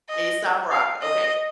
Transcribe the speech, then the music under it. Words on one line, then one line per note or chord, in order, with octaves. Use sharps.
Aesop Rock, okay.
D#5
F5
D#5